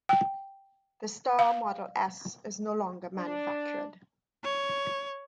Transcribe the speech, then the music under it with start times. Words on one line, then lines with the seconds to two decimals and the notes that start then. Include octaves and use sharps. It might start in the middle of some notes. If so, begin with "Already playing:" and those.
The Star Model S is no longer manufactured.
0.09 G5
1.39 F5
3.16 D4
4.44 C#5